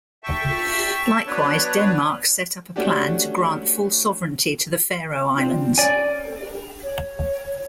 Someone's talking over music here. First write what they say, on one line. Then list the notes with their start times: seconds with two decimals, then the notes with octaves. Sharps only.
Likewise, Denmark set up a plan to grant full sovereignty to the Faroe Islands.
0.24 E5 G5 A5 C#6
1.27 F#3 B3 D4 B4 C#5 D5
2.76 A3 C#4 D4 F#4 G4
5.38 C4 D4 F4
5.78 C#4 D5 G#5
6.83 C#5